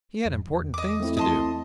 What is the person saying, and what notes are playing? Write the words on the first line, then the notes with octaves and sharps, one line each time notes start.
He had important things to do.
F2
E2
D#5 D6
A3 C4 E4
D#5 A5 C6